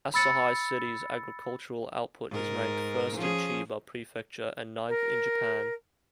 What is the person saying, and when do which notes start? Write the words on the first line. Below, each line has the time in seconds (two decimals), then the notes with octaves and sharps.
Asahi City's agricultural output is ranked first in Chiba Prefecture and ninth in Japan.
0.14 B5 E6 A6 C#7
2.30 G#2 A#4
3.16 F3 C#4 G#4
4.88 A#4